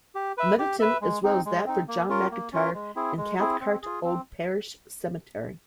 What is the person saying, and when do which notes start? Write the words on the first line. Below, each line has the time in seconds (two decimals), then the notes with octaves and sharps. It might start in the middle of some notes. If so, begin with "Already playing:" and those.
Middleton, as well as that for John McIntyre in Cathcart Old Parish Cemetery.
0.15 G4
0.38 B4 E5
0.59 G4
0.80 B4 E5
1.02 G#3
1.24 C4 D#4
1.45 G#3
1.66 C4 D#4
1.88 A#3
2.09 C#4 F4 A#4
2.31 A#3
2.53 C#4 F4 A#4
2.74 G#3
2.96 C4 E4 G#4
3.18 G#3
3.39 C4 E4 G#4
3.61 C4
3.83 F4 G#4
4.04 C4